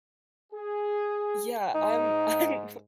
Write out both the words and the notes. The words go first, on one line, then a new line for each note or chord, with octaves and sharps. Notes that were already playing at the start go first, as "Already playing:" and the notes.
Yeah, I'm I'm
G#4
G#2 D#4